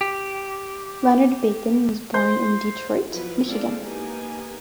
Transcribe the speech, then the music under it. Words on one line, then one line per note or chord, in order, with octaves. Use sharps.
Leonard Bacon was born in Detroit, Michigan.
G4
C5
F3 F#3 B3 E4 B4
G#3 C4 E4 A4 D5 F5
A#3 B3 D#4 G4 G#5